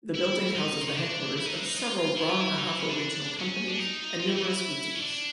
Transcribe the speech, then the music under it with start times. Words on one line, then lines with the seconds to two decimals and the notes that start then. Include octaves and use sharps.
The building houses the headquarters of several Brong-Ahafo regional companies, and numerous boutiques.
0.14 E4
0.55 D#4
0.81 C4
0.88 C#4
0.96 D4
1.37 E4
1.46 D#4
1.56 D4
1.65 D#4
1.77 F4
2.17 E4
2.29 F4
2.41 E4
2.58 D#4
2.68 D4
2.79 C#4
2.89 D4
3.39 C#4
3.69 D4
3.79 D#4
4.20 F4
4.28 E4
4.36 D#4
4.44 E4
4.96 C#4
5.01 D4